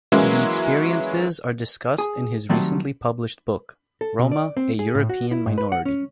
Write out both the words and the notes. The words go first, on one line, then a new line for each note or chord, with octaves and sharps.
The experiences are discussed in his recently published book: Roma - A European Minority.
E3 F#3 G#3 A#3 C#4 E4
G#4
D#3 F#3 G3 A3 C4 A4
A4
B2
D5
C4
G#4
A2
F#4
E4
G#2
B4
F#5
C#4